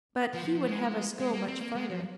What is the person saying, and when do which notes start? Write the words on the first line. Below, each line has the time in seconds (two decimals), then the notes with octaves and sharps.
But he would have us go much further.
0.34 F3
0.45 F3
0.55 F3
0.66 G#3
1.20 G#3
1.33 A#3
1.48 C4
1.61 A#3
1.75 G#3
1.90 F3